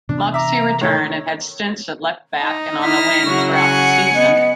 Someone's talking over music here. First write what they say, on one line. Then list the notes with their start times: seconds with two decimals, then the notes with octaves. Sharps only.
Moxey returned and had stints at left-back and on the wing throughout the season.
0.09 C3 E3 B3 D4
0.34 E5 A#5 D6
0.81 A2 D#3 A4 C#5
2.39 D#4 A#5
2.82 E4 F6 A#6 B6
3.26 C#3 F#3 F#4 C#6
3.55 F#5 G#5 C#7
4.15 B3 D#5